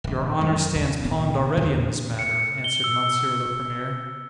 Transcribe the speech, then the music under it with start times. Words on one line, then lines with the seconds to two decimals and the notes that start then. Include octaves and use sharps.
Your honour stands pawn'd already in this matter, answered Monsieur le Premier.
0.04 D1 A#1
0.41 F#2 G#3
0.75 D#2
1.03 C#2 A#2 B3 C4
1.57 E2 D3
2.19 C#7
2.64 G7
2.84 E6